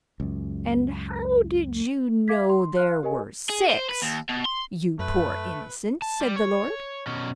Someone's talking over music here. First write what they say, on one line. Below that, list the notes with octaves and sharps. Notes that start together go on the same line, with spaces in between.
"And how did you know there were six, you poor innocent?" said the lord.
C#2 F#2
E5 F5 D6 G#6 B6
C6
F5 C6 F6 F#6
G4 A#4 D#5 G#5
G#4
C5
B4
D#2
B2
C6
F#2 A3 B4
A5
G3
C#5
B2 C#4